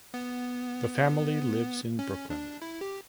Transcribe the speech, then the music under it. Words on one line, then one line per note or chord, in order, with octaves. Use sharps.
The family lives in Brooklyn.
B3
C#4
D4
E4
G4